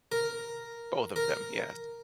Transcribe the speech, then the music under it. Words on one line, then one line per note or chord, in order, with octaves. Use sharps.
Both of them. Yes.
A#4
A#4